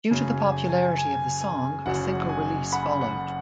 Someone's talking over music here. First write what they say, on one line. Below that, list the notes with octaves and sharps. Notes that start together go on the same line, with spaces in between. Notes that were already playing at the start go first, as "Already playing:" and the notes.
Due to the popularity of the song a single release followed.
F#2 C#3 F#3 G#5
G#5
G#5
G#5
G#5
F#1 F#2 F#3 F#5
G#5
F#5 B5
F#5